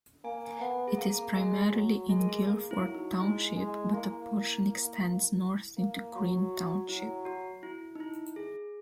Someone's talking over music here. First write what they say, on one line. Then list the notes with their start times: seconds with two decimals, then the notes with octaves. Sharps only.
It is primarily in Guilford Township, but a portion extends north into Greene Township.
0.24 A#3 G#5
0.46 G#5
0.61 B3 F#5
0.88 G#4
0.98 A#3 A#4
1.35 G#3 G#4
1.72 F#3
2.09 G#3 G#4
2.20 A#4
2.29 G#4
2.47 A#3
2.71 E4
2.83 F#3
2.95 D#4
3.20 G#3 E4
3.57 G#3
3.93 A#3 E4
5.78 A#3
6.15 F#3
6.89 F#3 E4
7.25 F#4
7.63 E4
7.95 D#4
8.00 E4
8.36 G#4